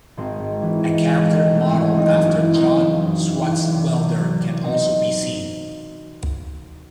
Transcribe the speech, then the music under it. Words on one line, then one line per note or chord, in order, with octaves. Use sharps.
A character modeled after John Swartzwelder can also be seen.
G#1 G#3 C4
G#2
E3
G#1
G#1
G#2
E3 A3
G#1 C4
C#4
F#1 C4 D#4
F#2
C#4 E4
E3
C4 D#4
F#1
F#1
F#2
E3
F#1
C2
C3
F#3
C2
C4 D#4